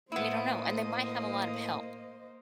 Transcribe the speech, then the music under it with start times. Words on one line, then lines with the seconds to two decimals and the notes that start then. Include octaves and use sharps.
We don't know, and they might have a lot of help
0.12 A2 A#3 B3 E4 C5 D#5 D#6